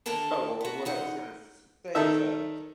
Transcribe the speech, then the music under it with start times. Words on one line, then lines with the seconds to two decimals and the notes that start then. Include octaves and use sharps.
Oh, well, what what I was gonna s say is, uh,
0.06 D#2 D3 D4 A4 A#4 A5
0.61 B3 F#4
0.85 E3 D#4 F#5
1.95 D#3 A4 E5